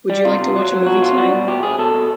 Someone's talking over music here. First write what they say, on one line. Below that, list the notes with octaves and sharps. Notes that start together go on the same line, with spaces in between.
Would you like to watch a movie tonight?
G3
C3 F4
C3
F#3
F#3
B2 F#4
F#3 F4
G3 F#4
B2
B2 G4
B2 G#4
B2 A4
B2